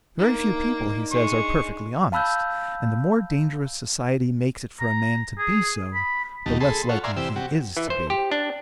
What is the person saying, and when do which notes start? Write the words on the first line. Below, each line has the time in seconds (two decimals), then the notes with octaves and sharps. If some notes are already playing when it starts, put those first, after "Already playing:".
Very few people, he says, are perfectly honest, and the more dangerous society makes it for a man to be so, the less likely he is to be.
0.18 A#3 D4 D#4
1.12 G#3 C#6
2.12 F5 A5 B5 E6 F#6 G6
4.80 A#5
5.38 G#4
5.94 B5
6.46 D#2 B2 G3 D#4 A5
6.60 G#4 A4 A5 B5 C6
6.89 F4 A4 C#5 F#5
7.04 D5 E5 F5 G#5 A#5 C6
7.17 C3 E3 G4 C5 E6
7.36 C3 F#4 G4
7.77 E3
7.90 C5
8.10 G4
8.31 D4